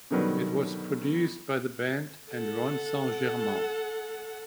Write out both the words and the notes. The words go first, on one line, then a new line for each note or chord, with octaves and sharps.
It was produced by the band and Ron Saint Germain.
B2 D3 D#3 F#3 G3 B3
A4 F#5